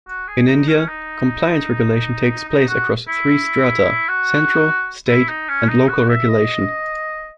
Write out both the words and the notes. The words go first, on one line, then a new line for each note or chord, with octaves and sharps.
In India, compliance regulation takes place across three strata: Central, State, and Local regulation.
F#4
G#4
D#4
C#4
D#4
D#4
F#4
E4
F#4
E4
D#4
C#4
D#4
F#4
E5
D#5